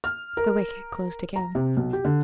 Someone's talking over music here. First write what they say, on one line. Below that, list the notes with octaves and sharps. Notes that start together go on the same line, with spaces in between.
The wicket closed again.
F6
A#4
A#5
C3
B1
G4
D3